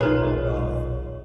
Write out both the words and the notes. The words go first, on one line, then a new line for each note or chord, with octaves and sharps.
Oh, golly.
D#1 B1 D#4 F4 G#4 A#4 B4 C#5